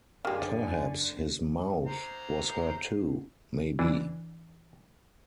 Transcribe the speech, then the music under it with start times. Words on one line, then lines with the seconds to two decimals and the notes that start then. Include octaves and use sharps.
Perhaps his mouth was hurt too — maybe.
0.25 F#2 D3 D#3 G#3 G4 D5 F5 G#5
1.86 C5 A#5
3.79 E3 D4